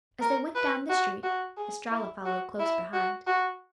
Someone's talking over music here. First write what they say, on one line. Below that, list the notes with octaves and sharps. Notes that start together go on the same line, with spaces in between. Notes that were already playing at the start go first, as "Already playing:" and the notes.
As they went down the street Estralla followed close behind.
A#4
B4
F#4
F#4
G#4
E4
F#4
E4
F#4
F#4